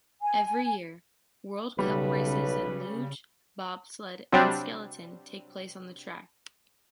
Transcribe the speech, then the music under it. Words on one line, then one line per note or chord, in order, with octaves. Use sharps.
Every year, World Cup races in luge, bobsleigh and skeleton take place on the track.
G#5
B1 C#3 G3 B4
C3 F#3 G3 C4 D4